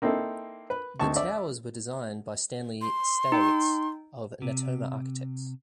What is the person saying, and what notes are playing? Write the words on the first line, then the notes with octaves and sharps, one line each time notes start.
The Towers were designed by Stanley Saitowits of Natoma Architects.
A#3 C4 D#4 E4 A4
B4
D2 C4 D#4 A5 C#6
D5 E5
C6
D#4 G5
C3